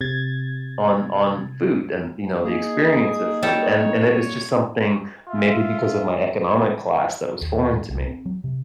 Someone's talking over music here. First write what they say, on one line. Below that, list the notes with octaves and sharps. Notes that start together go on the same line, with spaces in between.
on on food and, you know, the experience of food, and and it it's just something- maybe because of my economic class- that was foreign to me.
C3 G#6 A6
A#3 D#4 G#4
G3 A4 C#5
F4 E5
D#2
C2
C4
F#3
C3